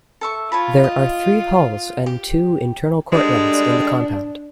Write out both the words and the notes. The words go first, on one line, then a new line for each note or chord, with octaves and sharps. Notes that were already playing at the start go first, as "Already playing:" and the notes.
There are three halls and two internal courtyards in the compound.
A4 E5 C#6
F4 C#5 A5 B5
D#5
G4
D3 G3 G#3 D4